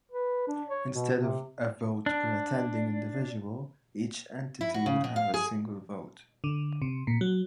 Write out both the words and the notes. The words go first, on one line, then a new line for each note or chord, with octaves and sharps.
Instead of a vote per attending individual, each entity would have a single vote.
B4
D4
C#5
B2
C3
D4
E4
F#4
C#3
B2
F5
G#4
D3
C3
A#2
F#3